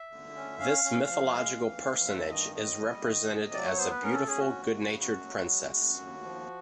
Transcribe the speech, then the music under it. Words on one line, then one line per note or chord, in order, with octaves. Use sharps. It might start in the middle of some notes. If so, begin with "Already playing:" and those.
This mythological personage is represented as a beautiful good-natured princess.
Already playing: E5
D3
C#4
C#4 F5
C#4
F3
G#3
E3
D#2
G2 E5
D#3 D#5
A2 D#5
G3
D#3
C3
F#3 D5
C#5
B3 C5
B4
C#4 A#4
A4
C#4 G#4
F#4
D#2
C#3
F#2 F#4
F#3
G#3
F#2
D#2
F3